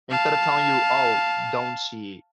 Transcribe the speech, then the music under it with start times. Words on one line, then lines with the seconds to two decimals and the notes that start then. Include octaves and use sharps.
instead of telling you, "Oh, don't cheat,"
0.11 F5 A5